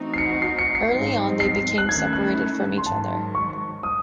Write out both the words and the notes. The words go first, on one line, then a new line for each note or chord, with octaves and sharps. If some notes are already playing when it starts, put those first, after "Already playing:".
Early on they became separated from each other.
Already playing: E3 A3 C4 D#4 F#4
C7
C#7
C7
C#7
C7
G#2 F#3 C4 D#4
C7
F#6
D#3 A3 C#4 E4 A4 G#6
F#6
C6
G#2 D#3 F#3 A5
C#6
D#6